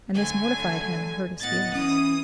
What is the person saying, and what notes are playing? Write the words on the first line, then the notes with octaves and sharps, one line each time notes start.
And this mortified him and hurt his feelings.
D3 F#3 A3 G#5
A2 B3 D#5 F#5 A6
E3 C#4 D#6